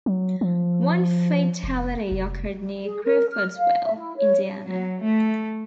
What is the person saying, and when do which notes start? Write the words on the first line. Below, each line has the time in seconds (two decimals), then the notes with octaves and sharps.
One fatality occurred near Crawfordsville, Indiana.
0.06 F#3
0.41 F3
1.63 F1
2.12 F1
2.84 G#4
3.04 A#4
3.28 F6
3.56 F5
3.83 E5
3.95 E4
4.17 C#5
4.65 F#3
5.01 A3